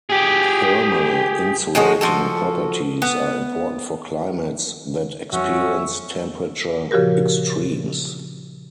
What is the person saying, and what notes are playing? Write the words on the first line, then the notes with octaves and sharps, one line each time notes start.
Thermal insulating properties are important for climates that experience temperature extremes.
G4 G#4
F3 G#3 C#4 F#4
F3 F#4 A4
B3
F2 F3 G3 C#4 F#4 E5
A#2 C#3 F3 F#4 G4 A#4